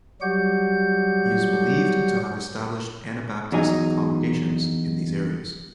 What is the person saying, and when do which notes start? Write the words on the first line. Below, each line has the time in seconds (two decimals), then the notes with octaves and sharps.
He is believed to have established Anabaptist congregations in these areas.
0.22 F#3 G3 F#4 G4 F#5 G6
3.52 E2 F#3 D#4 G#5